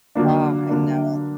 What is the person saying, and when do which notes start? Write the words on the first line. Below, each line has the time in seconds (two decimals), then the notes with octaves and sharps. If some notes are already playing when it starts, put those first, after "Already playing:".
Oh, I know.
0.15 D3 F#3 A#3 D4
0.69 D3 F#3 A#3 D4